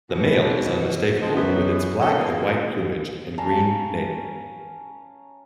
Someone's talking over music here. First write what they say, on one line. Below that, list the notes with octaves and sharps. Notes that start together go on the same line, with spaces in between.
The male is unmistakable, with its black and white plumage and green nape.
B2 E3
D3 F3 G#3 C4 D#4
F#2 B3
A#3 C#4 F#4 A4
G#3 A#3 B3 D#4 F4 F#4
C#4 F5 A5 A#5